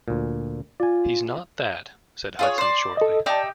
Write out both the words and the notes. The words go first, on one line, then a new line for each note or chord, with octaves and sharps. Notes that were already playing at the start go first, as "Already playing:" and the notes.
"He's not that," said Hudson shortly.
D2 A#2
F4 D5 G#5
F4 G#4 C#5
C5 D5
A4 D#5
D#4 G4 D5 E5 A5